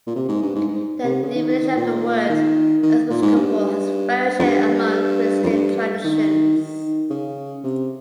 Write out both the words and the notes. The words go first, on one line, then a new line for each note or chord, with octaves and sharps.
The definition of the word "episcopal" has variation among Christian traditions.
A#2
C3
G#2
G2
G#2
G#2
C3
C#3
D#3
D#3
D#3
A#2
D#3
D#3
A#2
G#2
G2
F2
G2
F2
G2
D#3
D#3
C#3
C3